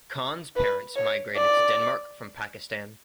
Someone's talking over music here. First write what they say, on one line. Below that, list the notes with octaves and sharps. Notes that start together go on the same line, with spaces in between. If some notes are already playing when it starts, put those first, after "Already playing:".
Khan's parents migrated to Denmark from Pakistan.
B4
C#5
D5